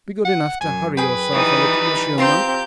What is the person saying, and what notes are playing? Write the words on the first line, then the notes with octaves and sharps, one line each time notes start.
"Be good enough to hurry yourself a little, monsieur monk."
F#5
F#2 G#5
G#4 B4 G5
E3 G3 D#4 D#6
C4 F4 G4 A#5 C6 G6